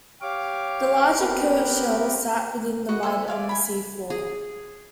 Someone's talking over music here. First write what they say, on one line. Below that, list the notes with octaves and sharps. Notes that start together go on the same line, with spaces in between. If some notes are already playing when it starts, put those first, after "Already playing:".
The larger, curved shell sat within the mud on the sea floor.
G4 C#5 F5 D6
B3 C4 G4 A#4 B4
F#4 B4 D#5
A4 C5 E5 G#5
D5 F5 G#5
G#5 B5
G#4